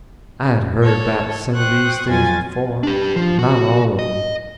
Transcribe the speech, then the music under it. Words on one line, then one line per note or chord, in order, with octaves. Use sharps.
I had heard about some of these things before, but not all of them.
A4 C#5
C5 G5 C#6 D#6 F#6
F2 F#3 F4 G#5 A6
D4 G4
F3
F#4
D#5